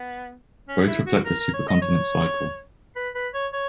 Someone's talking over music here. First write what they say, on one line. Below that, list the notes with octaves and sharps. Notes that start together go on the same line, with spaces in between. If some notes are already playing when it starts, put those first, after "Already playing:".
Both reflect the supercontinent cycle.
Already playing: B3
C#4
E4
F#4
A#4
A#4
C#5
D#5
C#5
B4
B4
C#5
C#5